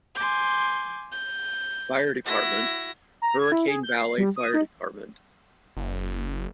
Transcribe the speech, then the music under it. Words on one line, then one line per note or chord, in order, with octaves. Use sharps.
Fire Department; Hurricane Valley Fire Department.
G#5 C6 D6 G6
G6
E4 F#4 A#6
A#5
G#6
E4
G#4
G6
C7
G3
D#6
D#4
F#1